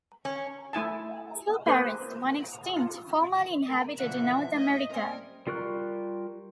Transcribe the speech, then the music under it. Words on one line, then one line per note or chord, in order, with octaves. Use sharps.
Two parrots, one extinct, formerly inhabited North America.
C#4
A3 E4 G#5 A5
A#3 G#4 B4 C5
F4
C#3 A3 A#4
B2 D3 E3 F3 E5 F#5
A2 A3 D#5
G3 A#3 C4 C#4 A#4
G3 F4 A#4 C#6 F#6